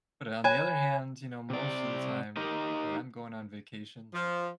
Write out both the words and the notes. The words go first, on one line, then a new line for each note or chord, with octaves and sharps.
But on the other hand, you know, most of the time when I'm going on vacation, like,
C#5 G#5 B5
C3 D5
D#4 G4 A#4 D#5
F3